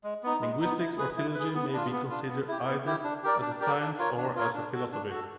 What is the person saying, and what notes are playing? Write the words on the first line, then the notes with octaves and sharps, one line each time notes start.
Linguistics or philology may be considered either as a science or as a philosophy.
G#3
B3 D#4
G#3
B3 D#4
E4
G#4 B4
E4
G#4 B4
B3
D4 F4
B3
D4 F4
B3
E4 G4
B3
E4 G4
D4
G4 A#4 D5
D4
G4 A#4 D5
D4
F4 A#4 C#5
D4
F4 A#4 C#5
D4
F#4 A4
D4
F#4 A4